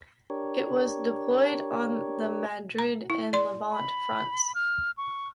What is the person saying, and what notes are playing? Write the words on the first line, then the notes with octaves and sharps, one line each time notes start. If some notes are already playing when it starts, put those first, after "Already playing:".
It was deployed on the Madrid and Levante fronts.
D4 G4 A#4 C#5
A#5
E4
D5 C6
B5
F6
C#6